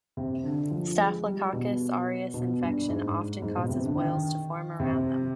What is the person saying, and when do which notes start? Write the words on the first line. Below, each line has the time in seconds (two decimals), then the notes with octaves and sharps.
Staphylococcus aureus infection often causes boils to form around them.
0.17 C3
0.44 D3
0.71 F3
0.98 G#3
1.25 G3
1.53 B2
2.34 B2
2.61 G2
2.89 G#2
3.42 G#2
3.56 B2
3.69 C3
3.84 D3
3.98 D#3
4.80 C3